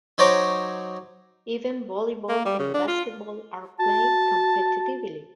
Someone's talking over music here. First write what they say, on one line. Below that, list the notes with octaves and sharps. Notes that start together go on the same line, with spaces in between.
Even volleyball and basketball are played competitively.
F#3 D#4 C5 C#5 A#5 D6
A#3
G3
C#3
D4
F4
F#4 A5